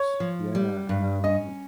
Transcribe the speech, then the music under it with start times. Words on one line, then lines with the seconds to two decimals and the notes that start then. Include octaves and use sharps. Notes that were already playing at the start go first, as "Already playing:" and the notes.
S yeah, um,
Already playing: C#5
0.20 F3
0.55 G3
0.89 G2
1.24 C#4 D#5